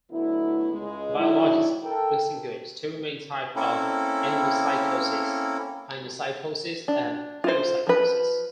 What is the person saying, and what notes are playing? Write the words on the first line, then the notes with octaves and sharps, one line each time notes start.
Biologists distinguish two main types of endocytosis: pinocytosis and phagocytosis.
D3 F#3 A3 B3 E4
C#2 G#3
D#3 F3 F#3 G#3 D4 E4
A4 A#4 G5
A#3 C4 C#4 E4 A4
D4
F4 C5
F3 B4